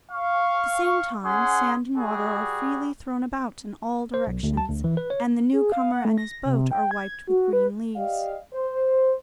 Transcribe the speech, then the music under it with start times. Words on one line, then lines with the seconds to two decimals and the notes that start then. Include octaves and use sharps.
At the same time sand and water are freely thrown about in all directions, and the newcomer and his boat are wiped with green leaves.
0.12 F5 C#6
1.25 C#4 G#4 F#5 C6
1.98 G3 F#4 G#4
4.14 C5
4.27 B1
4.43 D2
4.57 A5
4.69 D2
4.84 E3
4.97 B4
5.10 C#5
5.53 G#4
5.72 F5
5.92 F#5
6.05 A3
6.18 A#6
6.45 C3
6.71 G5
6.91 G#6
7.27 F#4
7.53 B4
7.96 G4 D5 D#5 F5
8.53 C5